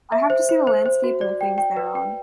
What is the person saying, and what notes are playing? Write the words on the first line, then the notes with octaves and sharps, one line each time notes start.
I have to see the landscape and the things thereon.
E5
C5
C5
C5
C5
F#4
D5
G5
G5
B4
G5